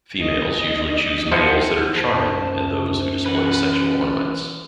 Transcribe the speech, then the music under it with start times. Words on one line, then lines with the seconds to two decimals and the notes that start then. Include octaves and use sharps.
Females usually choose males that are 'charming' and those who display sexual ornaments.
0.20 D#5
1.31 F3 E4 C5 F#5
1.97 F#2 C5 A5
3.26 E3 C#4 A#4 B4 F#5